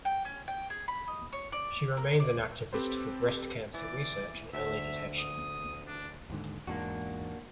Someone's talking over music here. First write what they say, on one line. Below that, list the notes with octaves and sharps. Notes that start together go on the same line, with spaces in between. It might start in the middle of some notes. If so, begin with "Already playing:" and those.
She remains an activist for breast cancer research and early detection.
G5
C#4
G5
G#4
B5
D#5
C#5
D5
A#4
D5
C4 G4 A4 B4 C5
E3 D5
D2 E5
D#6
D4
D#2 G#2 D3
E2 G#2 A#3 D4 F#4